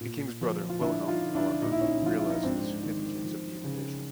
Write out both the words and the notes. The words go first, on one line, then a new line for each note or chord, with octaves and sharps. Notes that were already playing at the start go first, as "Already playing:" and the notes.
The king's brother Wilhelm, however, realized the significance of the innovation.
A#2
F3
F4
F3 D4 E4
D#4 F4
D3
D4 E4
A#2 D#4
E4
C#4 D#4
F3 F4
E4
D#4
G#2 C4 D4
D#3
F3
C#3